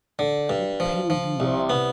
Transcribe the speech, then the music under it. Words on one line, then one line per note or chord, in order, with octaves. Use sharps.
How pale you are!'
D3
G2
F3
F3
C2
B3